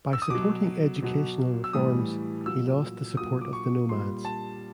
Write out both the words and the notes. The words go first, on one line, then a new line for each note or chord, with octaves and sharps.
By supporting educational reforms, he lost the support of the nomads.
E6
D#6
B2 F#3 D6
B2 F#3
E6
A2 E3 G3 D#6
A#2 F#3 E6
A#2 F#3 D#6
D6
C#6
A#2 G3 C6
A5